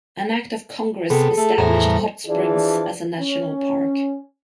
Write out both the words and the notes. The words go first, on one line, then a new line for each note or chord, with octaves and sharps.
An act of Congress established Hot Springs as a national park.
C3 B3 G#4 A4
A3
E2 A2 C5 G#5 A#5
G3
E3 F3 D4 G#4 D5
C#4